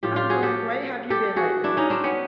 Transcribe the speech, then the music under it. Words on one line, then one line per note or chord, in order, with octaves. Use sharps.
I'm doing great. How've you been lately?
A2 F3 F4 G4
F4 G4
F#4 G#4
G4 A4
G4 A4
F#4 G#4
D4 E4
C#4 D#4
C4 D4
B3 C#4